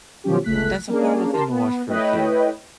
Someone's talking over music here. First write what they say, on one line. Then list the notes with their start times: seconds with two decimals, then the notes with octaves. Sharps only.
That's a horrible thing to watch for a kid.
0.24 B2 D#3 F3 F#3 C#4 G4
0.44 G1 C#2 A3 F#6 B6
0.89 A#3 C#4 D4 G#4
1.32 G4 A#4 A5 C6
1.49 B3
1.89 A3 E4 B4 C#5 D#5 G5